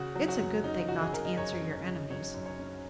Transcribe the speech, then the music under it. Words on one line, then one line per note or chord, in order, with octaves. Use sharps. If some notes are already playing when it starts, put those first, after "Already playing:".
It's a good thing not to answer your enemies.
Already playing: C#3 F#4
F#3
F#4
F#2
C#4 D#4
C#3 F#4
G#4
F#3 A#4
D#5
F#2 C#5
C#4
C#3
F#3 C#5
F#2
C#5
C#4